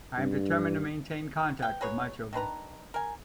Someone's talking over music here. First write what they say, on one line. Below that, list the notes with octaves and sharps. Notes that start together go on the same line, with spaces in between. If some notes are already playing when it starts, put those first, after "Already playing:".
I am determined to maintain contact with my children.
G2
B3 G5
F#3 G#4 B4 C#5
D#3 D4 B4 A#5
A#4 G#5